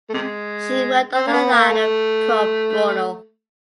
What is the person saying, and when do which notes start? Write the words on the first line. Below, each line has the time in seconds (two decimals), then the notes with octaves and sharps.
She worked on the latter pro bono.
0.10 A3
0.14 C3 G#3
1.14 C4
1.27 A#3
1.33 B3
1.52 A#3
1.70 A3